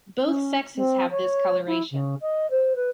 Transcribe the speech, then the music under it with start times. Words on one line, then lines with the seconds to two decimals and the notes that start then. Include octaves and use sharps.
Both sexes have this coloration.
0.24 C#4
0.75 C4
1.10 C#5
1.66 E4
1.91 C#3
2.21 D#5
2.50 C5
2.75 B4